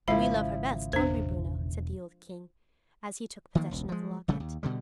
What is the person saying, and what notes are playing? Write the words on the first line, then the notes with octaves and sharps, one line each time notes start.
"But we love her best, don't we, Bruno?" said the old King, as he took possession of the Locket.
G#1 C#3 F3 G#3 E4 B5
E1 D4 C5
D#3 F3 A#3
E1 C#2
F3 G#3
A#1 C#3 G3 A3
D#2
B2 D3 G3